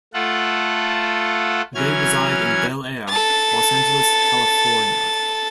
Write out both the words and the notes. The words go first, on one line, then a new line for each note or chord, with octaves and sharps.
They reside in Bel Air, Los Angeles, California.
A3 F4 A4 F#5
E3 F#3 C#4 F6 G#6
A4 A6